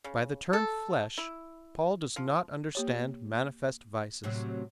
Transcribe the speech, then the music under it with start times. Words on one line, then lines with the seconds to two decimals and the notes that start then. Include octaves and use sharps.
By the term "flesh" Paul does not understand manifest vices.
0.04 C#3
0.53 A4
1.18 E4
2.16 F3
2.75 A#3 G4 C#5
4.24 A2 C3 F#3